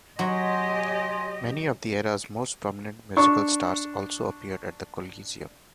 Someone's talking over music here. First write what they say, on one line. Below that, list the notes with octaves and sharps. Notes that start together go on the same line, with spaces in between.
Many of the era's most prominent musical stars also appeared at the Coliseum.
F#3 G4 C#5 D#5 G#5 C6
D4 C#6